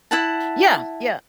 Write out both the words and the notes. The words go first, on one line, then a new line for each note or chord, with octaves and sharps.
Yeah, yeah.
E4 F#5 A5